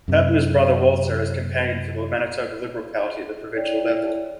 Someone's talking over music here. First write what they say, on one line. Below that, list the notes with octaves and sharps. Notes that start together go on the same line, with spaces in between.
Hoeppner's brother Walter has campaigned for the Manitoba Liberal Party at the provincial level.
F#2 C3
E4 C#5 D5 G5